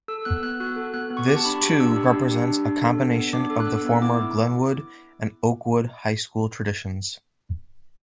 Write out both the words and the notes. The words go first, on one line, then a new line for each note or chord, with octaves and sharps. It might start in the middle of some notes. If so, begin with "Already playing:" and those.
This, too, represents a combination of the former Glenwood and Oakwood high school traditions.
A4 E6
B3 F#6
B3 F#6
F#4 F#6
A4
B3 F#6
B3
C#6
G4 D6
A5
D4 B5
G4 C#6
D4 E6
G4
D4
G4
D4
D4
A4
B3
B3
D4 D6
A4
F#6
B3 E6
B3
E4 D6